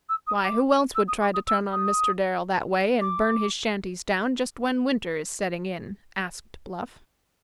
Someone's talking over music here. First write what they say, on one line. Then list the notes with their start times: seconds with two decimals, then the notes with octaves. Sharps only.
"Why, who else would try to turn on Mr. Darrel that way, and burn his shanties down just when winter is setting in?" asked Bluff.
0.09 E6
0.27 D#6
0.44 D6
0.95 E6
1.08 D#6
1.21 D6
1.33 D#6
1.47 E6
1.72 D#6
3.01 D6